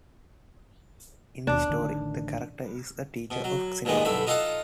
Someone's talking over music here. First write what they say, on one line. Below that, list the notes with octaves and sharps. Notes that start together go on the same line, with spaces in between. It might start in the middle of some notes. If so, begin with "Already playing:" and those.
In the story, the character is a teacher of cinema.
D#2 B2 D4
A1 D3 D#3
B2
F#3
G2 A#2 D#3 G#3 B3
B1 G2 D3 E4 B5
D#4 F4 A4 F5 F#5